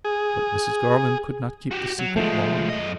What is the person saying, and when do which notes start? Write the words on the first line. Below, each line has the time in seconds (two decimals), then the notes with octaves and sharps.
But Mrs. Garland could not keep the secret long.
0.04 G#4
1.71 F#4 G4
1.99 F#3
2.16 F3 G#3 A3
2.69 F#2 D#5